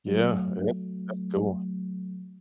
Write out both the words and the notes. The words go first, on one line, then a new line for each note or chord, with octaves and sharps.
Yeah, that's that's cool.
F#3 A3